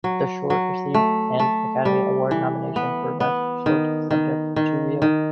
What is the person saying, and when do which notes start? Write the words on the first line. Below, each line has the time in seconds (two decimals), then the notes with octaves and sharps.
The short received an Academy Award nomination for Best Short Subject, Two-reel.
0.04 F#3
0.50 F#3
0.94 A3
1.39 A3
1.85 G3
2.31 E3
2.76 B3
3.20 B3
3.66 D#3
4.11 D#3
4.56 D#3
5.02 D#3